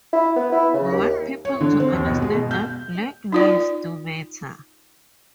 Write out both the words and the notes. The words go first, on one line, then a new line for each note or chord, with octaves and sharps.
We want people to understand that Black lives do matter.
E4
B3
E4
C#3
D#2
C#5
D3
C4
D#2
B2
G#3
B2
G6
D#4 F4 D5